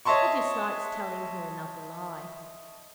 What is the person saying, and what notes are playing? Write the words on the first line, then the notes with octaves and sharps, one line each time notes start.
He dislikes telling her another lie.
C#5 D#5 E5 A5 C6 C#6